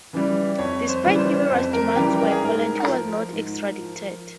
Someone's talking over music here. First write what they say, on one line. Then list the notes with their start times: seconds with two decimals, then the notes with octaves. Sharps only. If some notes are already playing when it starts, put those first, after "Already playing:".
Despite numerous demands by Poland, he was not extradited.
0.13 C#3 E3 G3
0.58 F2 C#5
0.89 C5
1.04 C#3 E3 G3
1.19 C5
1.49 F2 C5
1.73 A#4
1.95 C#3 E3 G3 G4
2.18 A#4
2.31 G#4
2.41 G#2 A#4
2.87 F3
3.32 G#2
3.79 F3